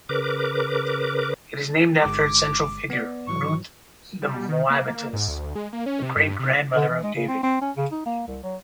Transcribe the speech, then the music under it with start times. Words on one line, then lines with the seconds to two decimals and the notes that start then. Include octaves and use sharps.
It is named after its central figure, Ruth the Moabitess, the great-grandmother of David.
0.09 C#3 A#4 B4 D6
2.02 G1 G#3 D6
2.90 B3 D5
3.28 G#2 E3 F#3 C#6
4.22 G3
4.49 D#3
4.70 A#3
5.13 G#2
5.28 D2
5.55 G#3
5.73 A#3
5.86 C#4
6.02 C3
6.16 G2
6.39 C3
6.76 D3
6.89 E3
7.04 G#3
7.15 C#3
7.29 C4
7.43 C4
7.62 C#4
7.77 C#3
7.92 D#4
8.06 A#3
8.28 C2
8.43 F#3